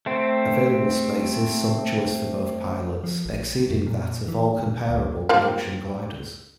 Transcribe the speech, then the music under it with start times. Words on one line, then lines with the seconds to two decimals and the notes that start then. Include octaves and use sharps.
Available space is sumptuous for both pilots, exceeding that of all comparable production gliders.
0.06 A3 C4
3.04 F3
3.26 A#1
3.70 F#2
3.87 A#2
4.28 E3
4.60 A#2
4.90 D2
5.29 A#3 C4 F4